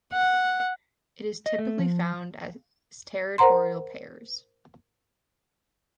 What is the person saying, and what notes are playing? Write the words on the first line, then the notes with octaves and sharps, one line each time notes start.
It is typically found as territorial pairs.
F#5
D#5
A3
F3
A#4 C5 F#5 A#5 C6